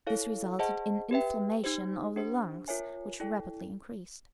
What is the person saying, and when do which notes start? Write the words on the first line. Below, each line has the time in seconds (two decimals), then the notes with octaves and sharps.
This resulted in inflammation of the lungs, which rapidly increased.
0.07 E4 A4 C#5 F5
0.59 G#4 C5 D#5 F#5 A5
1.11 G4 B4 E5 G5
1.64 D#4 G4 C5
2.16 D4 G4 C5
2.68 F4 A#4 C#5 E5 G#5
3.20 E4 A4 D5 G5